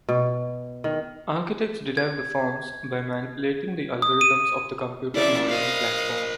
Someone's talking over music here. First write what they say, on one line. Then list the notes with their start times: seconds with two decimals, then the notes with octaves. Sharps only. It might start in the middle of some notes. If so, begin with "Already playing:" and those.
Architects derive the forms by manipulating the algorithms of the computer modeling platform.
0.09 B2
0.84 D#3
1.97 G#6
4.02 D#6
4.21 D#7
5.15 C#4 E4 D5 E5
5.49 A#4 C5 D#5 F5